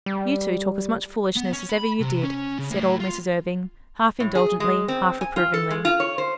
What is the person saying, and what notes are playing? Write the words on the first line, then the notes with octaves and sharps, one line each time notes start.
"You two talk as much foolishness as ever you did," said old Mrs. Irving, half-indulgently, half-reprovingly.
G3
B3
C#4
B5
C3
C#4
C#3
A2
F4
A2
G#4
G#3
C4
G#5
F4
A4
G#3
F4
C#5
C5